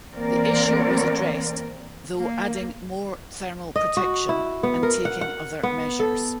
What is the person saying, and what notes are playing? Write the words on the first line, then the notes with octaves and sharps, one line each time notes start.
The issue was addressed though adding more thermal protection and taking other measures.
E3 A#3 C4 A#4 D5
A#3
D#5
F#4
E4
B3
A#4
F#5
F#5
B3
A4